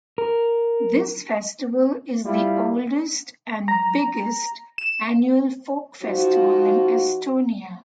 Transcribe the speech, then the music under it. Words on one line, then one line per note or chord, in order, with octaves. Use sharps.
This festival is the oldest and biggest annual folk festival in Estonia.
A#4
G3 E4 F4
A#5
E7
F3 D#4 F4 F#4